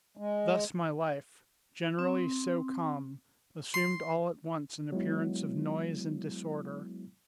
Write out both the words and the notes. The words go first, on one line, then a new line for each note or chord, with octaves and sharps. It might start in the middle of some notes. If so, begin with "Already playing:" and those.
Thus my life, generally so calm, assumed all at once an appearance of noise and disorder.
G#3
C4
C6
F#3 G#3 B3 E4